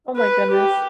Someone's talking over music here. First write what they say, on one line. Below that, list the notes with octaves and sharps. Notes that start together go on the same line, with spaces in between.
Oh, my goodness.
B4
G4